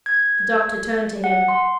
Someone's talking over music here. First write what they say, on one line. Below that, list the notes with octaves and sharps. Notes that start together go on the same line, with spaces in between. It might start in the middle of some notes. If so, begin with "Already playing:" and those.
The Doctor turned to him.
G#6
F#5
C6